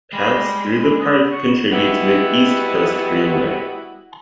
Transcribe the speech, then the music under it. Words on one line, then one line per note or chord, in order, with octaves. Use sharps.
Paths through the park contribute to the East Coast Greenway.
G3 G#3
B4
B3
F#4
G3 G#3 B3 E4 F#4